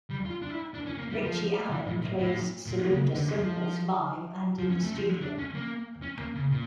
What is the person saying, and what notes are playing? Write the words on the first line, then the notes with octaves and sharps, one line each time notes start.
Richie Alan plays Saluda cymbals live and in the studio.
G3
F4
D4
E4
D4
C#4
A#3
G3
F3
E3
A2
A#2
A2
A#2
C#3
D3
F3
F3
C#4
A3
F3
D4
C#4
A#3
C#4
A#3
C#3
A#2